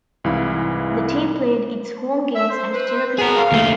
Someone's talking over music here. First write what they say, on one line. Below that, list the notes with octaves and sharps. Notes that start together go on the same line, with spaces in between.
The team played its home games at Terrapin Park.
C2 G#2 E3 E4 F5 B5
E5
C5
B4 C5
B3 G#4 A#4
F5
D#2 A3